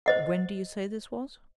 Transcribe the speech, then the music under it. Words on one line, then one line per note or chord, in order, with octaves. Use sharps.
"When do you say this was?"
C5 D#5 F#5